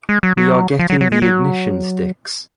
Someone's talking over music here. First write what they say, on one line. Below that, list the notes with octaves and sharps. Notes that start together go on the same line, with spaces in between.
We are getting the ignition sticks.
G#3
F#3
F#3
F3
F#3
F#3
G#3
F#3